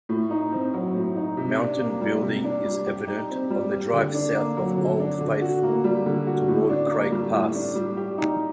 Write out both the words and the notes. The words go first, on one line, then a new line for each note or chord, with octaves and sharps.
Mountain building is evident on the drive south of Old Faithful, toward Craig Pass.
A2
D#4
C4
F#3
A2
D#4
C3
D4
A#3
G3
C3
D4
G3
G4
D#4
C4
G3
G4
D3
D4
A#3
F#3
D3
D4
D3
F#4
A#3
G3
D3
F#4
A2
D4
A#3
G3
A2
D4
G3
G4
D#4